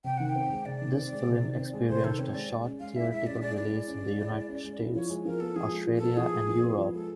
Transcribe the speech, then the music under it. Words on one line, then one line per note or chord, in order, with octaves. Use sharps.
This film experienced a short theatrical release in the United States, Australia, and Europe.
C3 G5
D#3 F#5
G5
C4
G#3
C3 D5
D#3
C4
G#3
C3
D#3
C4
G#3
C3 C5
D#3 A4
C4 C#5
G#3 D5
G#3
C#4
G#3 F5
E4 E5
G#3 E5
C#4 D5
G#3 D5
E4 D5
G#3
C#4
G#3
E4
G#3
C#4
G#3
E4
F3 C#5
G#3
F3 A#4
B3 A4
F3 G#4
G#3
F3
B3 A4
F3 G#4
G#3
F3
B3
F3
G#3 A4